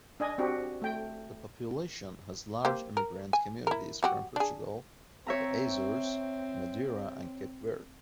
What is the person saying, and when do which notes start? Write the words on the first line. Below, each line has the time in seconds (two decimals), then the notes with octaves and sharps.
The population has large immigrant communities from Portugal, the Azores, Madeira and Cape Verde.
0.20 D4 D#5 G#5
0.38 C4 D4 F#4 G4
0.82 A3 G5
2.65 A#3 G4 C5
2.97 A#4
3.33 G#5
3.67 E4 A#4
4.03 F#3 F#4 G4
4.36 D4 G#4
5.27 C4 C#5 E5 A#5